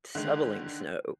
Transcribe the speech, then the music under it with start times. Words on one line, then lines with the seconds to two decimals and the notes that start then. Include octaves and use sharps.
shoveling snow.
0.15 D3 D#3 G#3